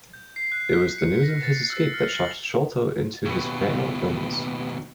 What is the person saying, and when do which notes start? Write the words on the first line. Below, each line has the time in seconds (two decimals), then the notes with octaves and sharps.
It was the news of his escape that shocked Sholto into his fatal illness.
0.13 G6
0.36 C7
0.52 F#6
0.73 B6
0.98 C#7
1.23 A#6
1.43 A6
1.70 E6
1.94 F6
2.09 F#7
3.25 D#2 B2